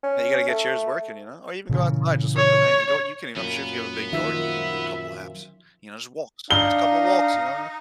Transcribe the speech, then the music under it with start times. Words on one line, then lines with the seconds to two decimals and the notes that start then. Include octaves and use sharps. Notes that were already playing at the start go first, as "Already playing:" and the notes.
And you gotta get yours working, you know? Or even go outside, just, uh, go hang and go you can, even I'm sure if you have a big yard, you can even do a couple of laps. You know, just walks. Just a couple of walks, you know?
0.03 C#4
0.48 A3
1.69 A#2 C#3 E3
2.37 C#5
3.37 F#2 A#2 B3
4.13 D#3 F3 F4 E5
6.51 D4 D#4 F5 G7